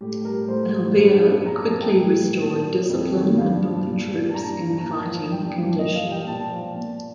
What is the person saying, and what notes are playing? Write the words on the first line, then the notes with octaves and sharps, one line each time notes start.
Alvear quickly restored discipline and put the troops in fighting condition.
A2 G4
G3 A#4
A2 C5
G3
G2
F3
A#2 A#5
A5
F3 A5
G5
A2
G3
A#2 A5
G3
F2
D#3 G3
G2 F5
F3
A#2
G3
A5
G2 A#5
F3
A#5
A#2 A5
F3
G2 G5
F3
A#2 D#5
F5
G3
G5
A#2 A5
F3
A#2